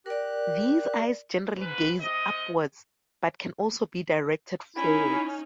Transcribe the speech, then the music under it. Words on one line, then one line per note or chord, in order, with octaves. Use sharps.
These eyes generally gaze upwards, but can also be directed forwards.
G4 A#4 D5 F#6
G#2 B4
C3 D#5
C#4 D#4 E4